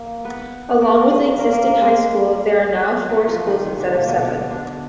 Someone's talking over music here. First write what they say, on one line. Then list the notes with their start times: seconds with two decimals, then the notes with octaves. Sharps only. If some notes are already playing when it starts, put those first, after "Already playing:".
Along with the existing High School, there are now four schools instead of seven.
Already playing: A#3 A#4
0.25 B3 B4
0.81 A#3 A#4
1.00 A#4
1.10 G#3 G#4
1.38 A#3 A#4
1.52 A#3 A#4
1.66 A#3 A#4
1.81 G#3 G#4
3.09 F#3 F#4
3.27 F3 F4
3.47 D#3 D#4
3.65 D#3 D#4
3.80 D3 D4
3.94 A#2 A#3
4.08 B2 B3
4.22 D3 D4
4.51 D3 D4